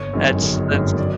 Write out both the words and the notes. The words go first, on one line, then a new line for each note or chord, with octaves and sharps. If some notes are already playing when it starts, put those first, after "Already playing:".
That's that's,
Already playing: G1 C#5
F#2 D#3 G#3
G1
F#2 D#3 G#3
D5